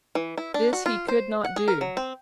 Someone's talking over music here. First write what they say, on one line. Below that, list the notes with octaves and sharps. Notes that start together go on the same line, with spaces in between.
This he could not do.
E3
E4
D4
F#4
F4
C5
F#5
G#4
A#4
F#3
C4